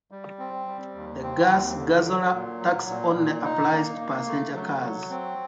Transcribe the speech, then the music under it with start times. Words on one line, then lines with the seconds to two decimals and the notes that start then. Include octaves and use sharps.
The Gas Guzzler Tax only applies to passenger cars.
0.11 G3
0.39 C4
0.67 G3
0.95 D#2
1.22 C4
1.50 D#2
1.78 D3
2.05 F#3
2.33 A#2
2.61 F#3
2.89 A#2
3.16 A#2
3.44 D#4
3.72 A#3
3.99 A#3
4.27 A3
4.54 F#3
4.82 F#3
5.10 C4